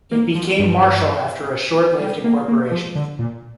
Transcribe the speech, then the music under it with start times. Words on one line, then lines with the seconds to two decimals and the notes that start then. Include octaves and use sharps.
It became Marshall after a short-lived incorporation.
0.11 A#3
0.35 F3
0.59 G2
2.01 G3
2.24 A#3
2.48 A#3
2.72 F3
2.95 D3
3.19 A#2